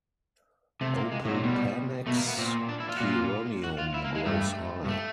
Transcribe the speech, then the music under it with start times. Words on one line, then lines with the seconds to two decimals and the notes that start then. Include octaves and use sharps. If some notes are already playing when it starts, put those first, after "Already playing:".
"Opopanax chironium" grows high.
0.81 C3 A3
0.97 A#3
1.12 G#3
1.25 A2 F#3
1.34 A#2
1.43 B2 G3
2.07 B2 A3
2.16 A#3
2.27 B3
2.38 A#2 C4
2.69 D4
2.80 E4
2.89 F4
2.97 F#4
3.01 A#2 F4
3.64 F#4
3.79 F4
3.94 E4
4.04 A#3
4.15 G#3
4.25 G2 A3
4.85 G2
4.88 A3